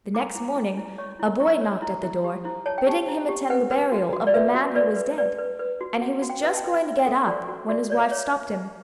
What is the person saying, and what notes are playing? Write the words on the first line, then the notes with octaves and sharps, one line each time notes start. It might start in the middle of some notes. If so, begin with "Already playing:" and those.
The next morning a boy knocked at the door, bidding him attend the burial of the man who was dead, and he was just going to get up when his wife stopped him.
E4 D6
E4
E4
E4
C#5 C#6
E4
E4 C#6
C#5
E4
E4
G4
E4
C#5 A5
G5
G4 A5
E4
G4
B4 F#5
B4
F#4
F#4
D5
B4 E5
F#4
B4 D5
B4
B4 D5
B4
B4
F#4
F#4 F#5
F#4
G5
B4
A5
G5
B4
F#4 E5
A4
F#4 D5
F#4
F#4 D5
C#5 D5
E5
C#5